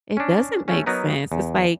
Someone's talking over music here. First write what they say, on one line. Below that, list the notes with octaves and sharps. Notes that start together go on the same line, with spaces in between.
It doesn't make sense. It's, like,
C#4 D4
A3 C#4
F#3 B3 D#4 A#4 B4
E2